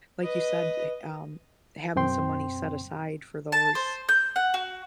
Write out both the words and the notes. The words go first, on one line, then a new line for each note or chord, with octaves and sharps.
like you said, eh um, having some money set aside for those,
B4 D#5
F#2 B2 C4 G5 C6
A5
C5
G6
F#5
F#4